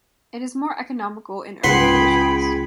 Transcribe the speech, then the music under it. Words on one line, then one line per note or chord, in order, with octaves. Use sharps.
It is more economical in urban conditions.
C#2 G#4 B4 F#5 G5 B5 C6